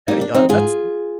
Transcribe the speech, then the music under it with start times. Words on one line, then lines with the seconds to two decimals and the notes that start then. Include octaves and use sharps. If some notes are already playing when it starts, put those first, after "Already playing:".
A yeah, that's
0.08 G3 A#3 D#4
0.21 D4
0.34 C4 D#4
0.49 G#2 F4 G#4